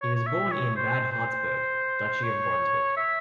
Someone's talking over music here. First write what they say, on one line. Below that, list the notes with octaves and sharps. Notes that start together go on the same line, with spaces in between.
He was born in Bad Harzburg, Duchy of Brunswick.
C#5
C#5
E5
C#5
C5
C5
C#5
E5